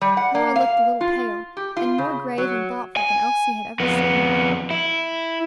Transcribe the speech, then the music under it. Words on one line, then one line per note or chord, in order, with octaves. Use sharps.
Lora looked a little pale, and more grave and thoughtful than Elsie had ever seen her.
G3
F#5
A#3
F5
F4
G4
F4
C#3
F#3
G#5
F2 B3
E4